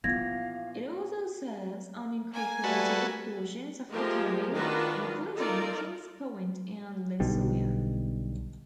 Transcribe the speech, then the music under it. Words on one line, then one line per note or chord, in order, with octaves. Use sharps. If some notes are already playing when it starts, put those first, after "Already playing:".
It also serves unincorporated portions of the county, including Kings Point and Losoya.
A#1 E3 F3 B3 F5 G#6 A#6
A#3 G#5
G3 A3 F#4 A4 B4
F3 G#3 A3 G4 A#4
D#3 D4 F4 F#4 A#4 B4
D#4 F4 A4 A#4 D5
B1 B2 D3 G3